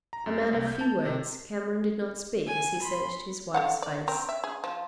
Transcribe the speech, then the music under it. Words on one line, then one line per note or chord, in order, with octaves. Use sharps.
A man of few words, Cameron did not speak as he searched his wife's face.
A#5
F#2
G#3
C2
G6
A5
C3
G#5
B5 C6
A4 F5 F#5
D5
C4 A#4
E5
G#4
F3